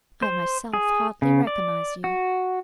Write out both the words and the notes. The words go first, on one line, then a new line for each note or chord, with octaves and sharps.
I myself hardly recognised you.
C5
G#4
C#3
D5
F#4